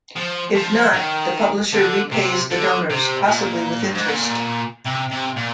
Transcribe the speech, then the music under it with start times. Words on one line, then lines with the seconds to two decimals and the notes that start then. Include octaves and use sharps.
If not, the publisher repays the donors, possibly with interest.
0.16 F3
0.55 F3
0.93 D#3
1.73 D3
2.12 C3
2.51 D3
2.90 C3
3.28 A#2
3.82 G2
3.95 G#2
4.07 A#2
4.85 C3
5.11 C3
5.36 A#2